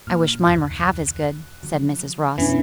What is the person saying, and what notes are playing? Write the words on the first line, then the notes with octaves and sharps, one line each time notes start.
"I wish mine were half as good," said Mrs. Ross.
A#2 F6
F1 D2 D#3 F#6
D3 F3 F#3
F2 B2 E3 B3 C#4 D4